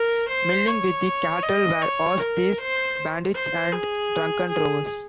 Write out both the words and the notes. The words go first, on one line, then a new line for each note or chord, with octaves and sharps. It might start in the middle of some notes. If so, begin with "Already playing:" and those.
Milling with the cattle were horse thieves, bandits and drunken drovers.
Already playing: A#4
C5
C#5
D#5
C#5
A#4
C5
C5
G#4
G#4